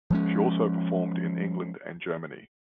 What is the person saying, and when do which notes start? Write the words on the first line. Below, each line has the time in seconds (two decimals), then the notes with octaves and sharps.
She also performed in England and Germany.
0.10 F3 G#3 C#4